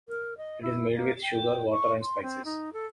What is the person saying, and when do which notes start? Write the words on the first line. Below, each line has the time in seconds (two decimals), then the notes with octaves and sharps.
It is made with sugar, water and spices.
0.08 A#4
0.37 D#5
0.62 E4
0.95 A#3
1.22 G5
1.72 C#6
2.02 C6
2.22 C4
2.45 D#4
2.73 A4